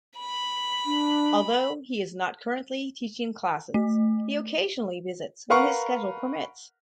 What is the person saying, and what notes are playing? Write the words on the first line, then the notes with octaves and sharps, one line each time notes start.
Although he is not currently teaching classes, he occasionally visits when his schedule permits.
B5
D4
A3
A#4 B4 F5 F#5 A#5 C#6